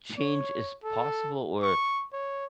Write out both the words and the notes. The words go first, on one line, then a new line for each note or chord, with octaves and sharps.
"Change is possible?" Or,
C#5
A4
C#6
C#5